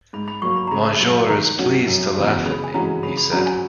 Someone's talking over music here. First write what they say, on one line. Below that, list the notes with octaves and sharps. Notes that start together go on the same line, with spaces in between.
"Monsieur is pleased to laugh at me," he said.
G#2 B5
B5
F#3 A#3 C#6
B5
A#5
C#3 B5
F#3 A#3
D#3 A#5
F#3 C#4 F#4
F#2
C#3 E3 B3
C#3 B5
G#5
E3 G#3 C#4 F#4 A#5
C#3 B5
B5
F#3 C#4 F#4 A#5
G#5